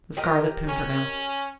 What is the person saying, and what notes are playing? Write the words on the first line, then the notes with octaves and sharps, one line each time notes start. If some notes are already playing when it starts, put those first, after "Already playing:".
The Scarlet Pimpernel.
G4 A#4 D#5
C#4